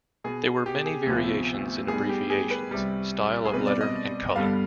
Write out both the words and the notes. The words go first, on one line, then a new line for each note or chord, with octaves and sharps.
There were may variations in abbreviations, style of letter and colour.
B2 B3 G#4
G4
G#4
D2 C3 F3 B3
G#2 G3 B3 G#4
G4
G#4
B4
C2 C3 G3
G#4
B2 G3 C4 B4
D5
D#5
G2 D3 G3 B3 F5